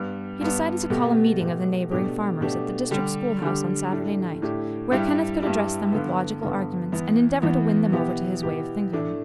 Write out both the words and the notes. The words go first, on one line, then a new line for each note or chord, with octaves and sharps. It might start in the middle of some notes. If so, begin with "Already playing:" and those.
He decided to call a meeting of the neighboring farmers at the district school-house on Saturday night, where Kenneth could address them with logical arguments and endeavor to win them over to his way of thinking.
Already playing: G2 G3 B3
G2 G3 B3
B2 A3 G4
B2 A3 G4
B2 A3 D4 G4
B2 A3 D4 G4
D3 G3 D4 G4
D3 G3 D4 G4
A2 A3 D4 G4
A2 A3 D4 G4
G2 G3 E4 G4
G2 G3 E4 G4
G2 D3 B3
G2 D3 B3
E2 E3 B3
E2 E3 B3
B2 B3 E4 G4
B2 B3 E4 G4
A2 A3 D4